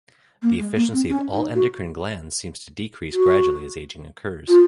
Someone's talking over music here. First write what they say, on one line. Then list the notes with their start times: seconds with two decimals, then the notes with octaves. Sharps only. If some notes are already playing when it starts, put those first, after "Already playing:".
The efficiency of all endocrine glands seems to decrease gradually as aging occurs.
0.42 A#3
0.59 G#3
0.76 A#3
0.93 C4
1.10 C#4
1.33 D#4
1.55 F#4
3.13 F#4
4.48 F4